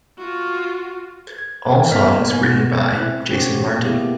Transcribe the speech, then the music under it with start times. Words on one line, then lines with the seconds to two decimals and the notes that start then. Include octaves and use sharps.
All songs written by Jason Martin.
0.18 F4 F#4
1.38 G#6
1.90 G#2 A#3 B3 D#5 F6 B6
2.33 B2 B3 G#5
2.95 C4 E4 F#6
3.30 C4 C#4 F#4 G4
3.82 A#3 B3 E4 G4 G#4